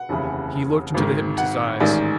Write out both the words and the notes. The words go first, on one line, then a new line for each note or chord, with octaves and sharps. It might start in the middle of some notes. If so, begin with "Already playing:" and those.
He looked into the hypnotist's eyes.
Already playing: F#5
F1 D#2 C#3 E3
G#1 G#2 D#3
F#5
A1 G#2 D#3 D5